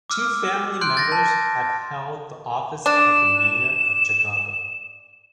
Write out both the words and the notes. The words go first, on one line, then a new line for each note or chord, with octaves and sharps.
Two family members have held the office of the Mayor of Chicago.
D6 E6 F6
C6 F#6 G6 D7
G6 A6 A#6
A5
D4 E7